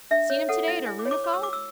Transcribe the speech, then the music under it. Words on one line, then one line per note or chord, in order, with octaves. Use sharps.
Seen him today at a runefal?
D4 E5
C#5
A4 F#5
E4
E4 G#5
D6
C#5
D6
C#5 D6
E6
F#4 D6
E6